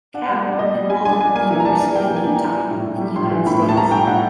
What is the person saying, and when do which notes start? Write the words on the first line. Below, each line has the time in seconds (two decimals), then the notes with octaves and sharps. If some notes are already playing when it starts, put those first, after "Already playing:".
Kao enrolled at the University of Utah in the United States.
0.14 D4 F#5
0.30 G3 F#5
0.45 D4
0.52 D5
0.59 G3 D#5
0.75 G3
0.90 G3 G#5
1.05 D4 G#5
1.20 D4 G#5
1.35 A#3 G#5
1.51 E3
1.60 A#5
1.65 D4 A5
1.80 D4
1.95 A#3 G5
2.10 E3
2.16 G#5
2.25 D4
2.36 D4 A#5
2.57 G3
2.71 A2
2.87 A2
3.01 G3
3.16 A2 C6
3.32 E3
3.46 A2 B5
3.62 A2
3.69 A5
3.77 G3 A#5
3.91 A2 G5
4.07 A2 F#5